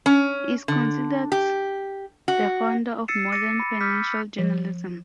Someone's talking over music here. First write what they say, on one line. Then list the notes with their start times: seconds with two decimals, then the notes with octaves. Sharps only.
He is considered the founder of modern financial journalism.
0.06 C#4
0.68 D3
1.32 G4
2.28 F#4
3.08 E6 A6 C7 C#7 D#7 E7
3.32 D6 A6 A#6 C#7 D#7
3.60 B5
3.80 D6 E6 F6 G6 B6
4.39 F3